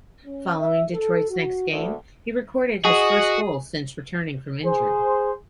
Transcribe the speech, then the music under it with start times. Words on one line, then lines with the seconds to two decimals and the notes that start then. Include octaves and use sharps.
Following Detroit's next game, he recorded his first goal since returning from injury.
0.25 C#4
0.58 E5
0.92 A4
1.30 F#4
1.70 D2
2.85 F#4 G#4 D#5
4.64 G#4 C5